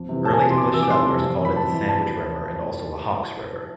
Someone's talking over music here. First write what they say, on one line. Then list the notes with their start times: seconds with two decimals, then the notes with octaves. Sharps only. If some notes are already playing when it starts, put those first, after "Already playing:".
Early English settlers called it the "Sandwich River" and also the "Hawkes River".
Already playing: F2
0.09 C3 E3
0.25 F2 A5
0.33 G#5
0.41 C3 A5
0.45 E3
0.50 C6
0.58 F2 D6
0.74 C3 E3 E6
0.83 D6
0.90 F2 C6
1.07 C3 E3
1.24 F2
1.39 E3
1.45 B5
1.56 F2 A5
1.72 E3
1.89 A5